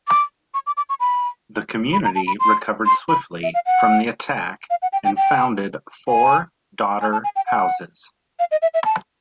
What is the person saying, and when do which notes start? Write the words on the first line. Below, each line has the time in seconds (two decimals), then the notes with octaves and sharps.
The community recovered swiftly from the attack and founded four daughter houses.
0.08 D6
0.54 C#6
0.67 D6
0.77 D6
0.89 C#6
1.00 B5
1.93 B5
2.04 A#5
2.16 A5
2.27 B5
2.40 C6
2.86 C6
3.09 B5
3.43 E5
3.54 F5
3.66 F#5
4.70 F5
4.82 F#5
4.93 G5
5.05 G5
5.17 G5
6.08 G#5
7.01 G#5
7.12 A5
7.24 G#5
7.36 G5
7.47 F#5
8.39 F5
8.51 D#5
8.62 E5
8.74 E5
8.85 A5